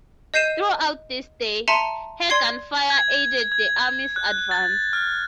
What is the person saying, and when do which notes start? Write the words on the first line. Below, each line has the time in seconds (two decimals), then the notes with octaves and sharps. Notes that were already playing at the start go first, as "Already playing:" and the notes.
Throughout this day, her gunfire aided the Army's advance.
0.34 D#5 G6 C7 D#7 E7
1.68 E5 A5 A#5 C6 C#7 D#7
2.30 D5 C6 G#6 C7
2.90 G#6
3.52 G#6
4.16 F#6
4.51 A6
4.93 F6